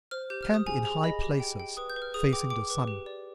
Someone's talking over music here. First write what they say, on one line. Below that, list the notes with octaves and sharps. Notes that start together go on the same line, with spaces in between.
Camp in high places, facing the sun.
C5 F6
G4 G6
F6
G4
D#6
G#4 G#5
G#4
D#5 B5
G4
G5
G5
B4 D#6
G6
B4
F6
G#4 D#6
G5 D6
G5 D6
B4
G4
D5